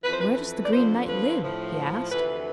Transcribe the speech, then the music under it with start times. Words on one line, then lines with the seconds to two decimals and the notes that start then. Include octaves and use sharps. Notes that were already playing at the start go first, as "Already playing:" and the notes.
'Where does the Green Knight live?' he asked.
0.04 F2 E3 B4
0.13 C5
0.21 B4
0.65 D5
0.73 F2 D3 F3 C5
1.08 B4
1.42 A2 F3
2.11 D2 C3 E3 B4